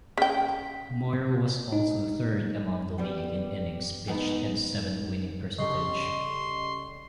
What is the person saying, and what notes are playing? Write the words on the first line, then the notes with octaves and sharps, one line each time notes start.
Moyer was also third among the league in innings pitched and seventh winning percentage.
C#3 G5 B6
D#4
G3 B3
G#2 B3 D#4
C#3 G3 A4 D#5 C6 C#6